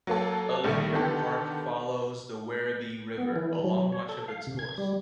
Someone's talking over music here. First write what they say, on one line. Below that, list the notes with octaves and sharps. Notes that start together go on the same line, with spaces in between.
A linear park follows the Werribee River along much of its course.
F#3 A#3 A4
A#1 G3 A3 C#7
D3 D#3 B3 G4 A4
B3
E3
F#3
C#5
A4
F5
C3
G#6
G3